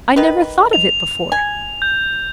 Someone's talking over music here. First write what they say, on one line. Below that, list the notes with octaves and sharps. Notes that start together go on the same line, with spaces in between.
I never thought of it before.
D#3 B4
F7
G#5
G6